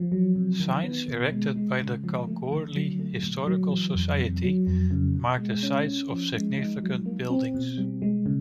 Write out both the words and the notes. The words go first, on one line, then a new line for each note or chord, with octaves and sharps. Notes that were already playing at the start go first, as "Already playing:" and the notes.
Signs erected by the Kalgoorlie Historical society mark the sites of significant buildings.
Already playing: F3
F#3
C3
D#3
B3
B2
G#3
G#3
C#3
F3
A3
D3
F#3
A3
A#2
F#3
E3
F2
C3
F#3
F2
C#3
B2
G#3
C#4
C#4
F3
G#3
D#4
F#3
A#3
C4
B2
G3
G#3
C#3